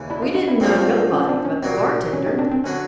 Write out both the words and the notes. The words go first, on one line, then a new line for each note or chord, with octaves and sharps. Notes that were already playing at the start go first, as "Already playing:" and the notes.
We didn't know nobody but the bartender.
Already playing: D#2 C#3 E3
D4 E4
D#4 F4
D#4 F4
D4 E4
A#2 F3 A3 C4
C#4
C4
C#4
C4 D4
C#4
C2 A#2 F#3 C4
C#4
C#4 D#4
C4 D4
C4
D3 F#3 C#4